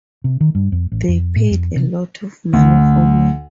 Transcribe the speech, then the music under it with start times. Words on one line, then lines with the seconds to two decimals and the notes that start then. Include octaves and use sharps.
They paid a lot of money for me.
0.24 C3
0.41 D#3
0.55 G2
0.72 F2
0.92 A1
1.08 F2
1.36 A2
1.51 F2
1.76 C3
2.53 D2